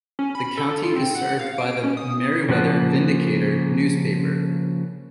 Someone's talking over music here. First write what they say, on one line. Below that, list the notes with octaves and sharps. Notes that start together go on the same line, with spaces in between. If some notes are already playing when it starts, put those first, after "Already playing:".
The county is served by the "Meriwether Vindicator" newspaper.
C#4
B5
A4
F4
C4
F#5
F5
D7
C#4
D#6
C#3 F3 A#3 F#5 A5